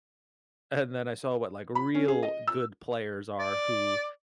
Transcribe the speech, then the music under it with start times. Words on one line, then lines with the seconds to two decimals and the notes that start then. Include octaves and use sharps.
and then I saw what, like, real good players are who,
1.75 B5
1.94 C#4
2.08 G#4
2.23 D#5
2.48 E6
3.39 D5